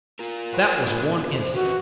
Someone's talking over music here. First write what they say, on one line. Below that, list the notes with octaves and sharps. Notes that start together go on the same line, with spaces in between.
That was one instance.
F4 A#4
F#4 B4 C5
B3 D4
F2 B4 C5
D#3 C#4 F#4 G4 B4 D#5